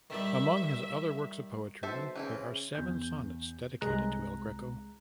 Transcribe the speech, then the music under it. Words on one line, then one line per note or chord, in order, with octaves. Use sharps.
Among his other works of poetry there are seven sonnets dedicated to El Greco.
D#3 G3 E5
B1 A4 C5 E5
C#3 E3 C4 E4
E2 G6
C2 G#3 A#5 F#6